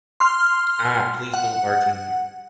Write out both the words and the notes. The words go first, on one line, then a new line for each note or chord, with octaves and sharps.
Ah! Please, don’t barge in here! ...
C6 F6
F#5